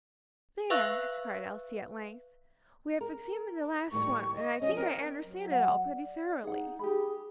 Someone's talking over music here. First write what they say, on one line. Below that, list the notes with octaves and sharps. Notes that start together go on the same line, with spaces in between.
"There!" cried Elsie, at length, "we have examined the last one, and I think I understand it all pretty thoroughly."
B4 E5 F5 C#6 E6 F#6
A#4
A2 D#3 G3 C#6
D#5
F3 C#4 D#5
C4 A#4
F#3
F#5
D5
D#4 G#4 F#5
G4 G#4 B5